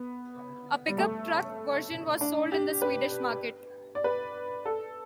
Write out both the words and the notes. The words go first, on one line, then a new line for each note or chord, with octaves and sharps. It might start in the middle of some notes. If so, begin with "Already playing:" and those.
A pickup truck version was sold in the Swedish market.
Already playing: B3
G3
A3
D4
G4
B4
D5
B4
A4